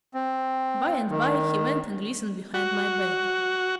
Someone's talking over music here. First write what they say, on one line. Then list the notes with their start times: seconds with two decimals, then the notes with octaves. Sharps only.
By-and-by he went and listened behind my back.
0.14 C4
1.10 D#3
2.54 F#4